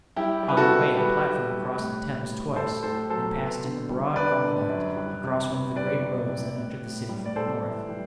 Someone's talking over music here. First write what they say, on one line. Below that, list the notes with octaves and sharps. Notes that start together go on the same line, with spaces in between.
On their way the platforms crossed the Thames twice, and passed in a broad viaduct across one of the great roads that entered the city from the North.
G3 E4 G4
G3
B4
F#4 A4
G3
G3 G4 B4
G3
G3
A2
A2
A2
A2 A4 C5
A2 A4 C5
F#3 A4 C5
B3
D3
G3
D3 B4 D5
D3
F#2
G3
C3
B3
G3 B4 D5
G3
G3
A2
A2
G3
D5
G3 A4 C5
E3
G3